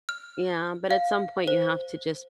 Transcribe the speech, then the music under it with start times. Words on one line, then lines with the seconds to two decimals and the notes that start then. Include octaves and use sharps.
Yeah, but at some point, you have to just
0.09 F6
0.91 F5
1.47 C5